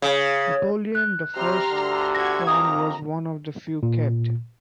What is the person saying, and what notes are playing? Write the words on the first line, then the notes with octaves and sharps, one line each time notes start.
Napoleon the First's crown was one of the few kept.
C#3
F#6
C3 G3 C4 G4 A#5 C6 F6
D2 D3
F#4 C#6 G#6 A#6
F2 C3 A#3 A#5 D#6
A#2